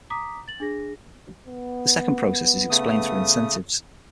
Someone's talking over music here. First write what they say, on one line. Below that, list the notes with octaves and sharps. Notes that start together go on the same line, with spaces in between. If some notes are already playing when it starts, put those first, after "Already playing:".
The second process is explained through incentives.
A#5 D6 D#6 B6
A6 F#7
D4 G#4 A#6
B3
C#3 A3 D#6